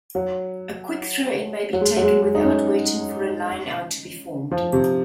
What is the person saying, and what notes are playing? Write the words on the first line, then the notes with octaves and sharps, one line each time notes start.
A quick throw-in may be taken without waiting for a line-out to be formed.
F#3
F#3
G#3
F#3
G#3
G#3
D#4
C#4
F3
C3